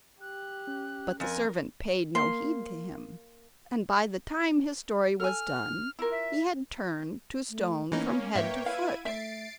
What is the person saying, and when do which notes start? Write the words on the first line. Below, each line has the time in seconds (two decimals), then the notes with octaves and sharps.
But the servant paid no heed to him, and by the time his story was done he had turned to stone from head to foot.
0.21 G4 F#6
0.67 C#4
1.20 F2 A#4 G#5
2.15 A#3 C6
5.20 A4 G#5 F6
5.99 E4 F4 A#4
6.12 E5
7.50 A3
7.92 E3 A#3 B3 C#4 D#4
8.36 G#2 A#3 B4 C#5 E5 G5
8.66 E4 F5 G#6 D#7
9.05 A3 E5 A6 C7 D7